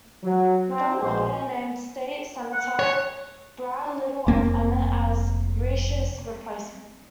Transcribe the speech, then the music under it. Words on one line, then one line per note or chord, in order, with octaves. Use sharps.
Governor Otter named state Senator Brad Little of Emmett as Risch's replacement.
F#3
C4
A#1 B2 G#3 C5
F#5
C#5
F1 A#3 C4